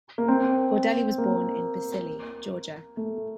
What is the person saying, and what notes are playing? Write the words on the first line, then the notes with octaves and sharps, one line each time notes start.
Gordeli was born in Tbilisi, Georgia.
A#3
C4
A#3
A3